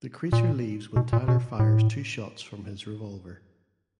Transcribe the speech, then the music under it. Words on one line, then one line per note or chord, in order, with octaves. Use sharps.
The creature leaves when Tyler fires two shots from his revolver.
A#2
B2
A#2
B2
A2